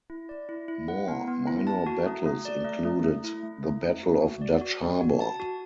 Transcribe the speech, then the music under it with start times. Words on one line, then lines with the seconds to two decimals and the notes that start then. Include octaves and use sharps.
More minor battles included the Battle of Dutch Harbor.
0.10 E4
0.29 D5
0.49 E4
0.68 E4
0.88 F#5
1.08 B3
1.27 B3
1.47 E4
1.67 A5
1.86 F#4
2.06 A3
2.26 A3
2.45 D5
2.65 A3
2.85 A3
3.04 A3
3.24 E4
3.43 A3
3.63 A3
3.83 A3
4.03 F#4
4.22 F#4
4.41 D5
4.61 F#4
4.81 D5
5.01 F#4
5.21 A5
5.40 F#4